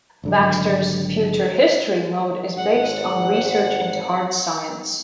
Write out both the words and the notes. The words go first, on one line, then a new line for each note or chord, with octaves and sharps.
Baxter's "Future History" mode is based on research into hard science.
G#1 D3 F#3
G#1 F#5